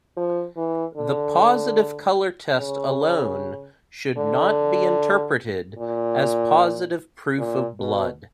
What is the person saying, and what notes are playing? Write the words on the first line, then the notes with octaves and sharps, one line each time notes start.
The positive color test alone should not be interpreted as positive proof of blood.
F3
E3
D3
C#3
D3
A#2
A#2
B2